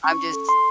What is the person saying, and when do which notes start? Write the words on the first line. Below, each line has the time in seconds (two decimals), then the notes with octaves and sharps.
I'm just
0.04 C#4 C#6
0.33 A4
0.49 C6